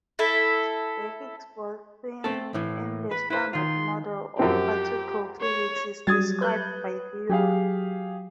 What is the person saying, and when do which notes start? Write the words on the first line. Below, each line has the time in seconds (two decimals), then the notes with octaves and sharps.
The Higgs boson in the Standard Model of particle physics is described by theory.
0.19 E4 A4 E5
2.24 A3 C4 A4
2.54 A2 E3
3.11 B4 B5
3.30 E4 B4 C5
3.53 D#3 F4 C6
4.39 F#2 F3 C4 G4
5.41 C#5
6.07 F#3 G3 D#6 G#6 A6
6.41 B4 F#6 G6
7.30 F#3 G4 G#4 F5